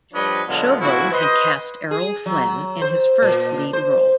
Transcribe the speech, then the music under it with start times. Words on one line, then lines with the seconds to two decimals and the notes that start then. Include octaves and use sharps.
Chauvel had cast Errol Flynn in his first lead role.
0.13 F3 G3 D4 B4 C#5 D#5
0.47 B2 D3 F#3 G#3 B3 F4
0.79 A2 F3 B3 E4 F#4
1.11 B4 C5 D#5
1.91 G#4
2.26 F#3
2.82 C5
3.22 A#2
3.73 C5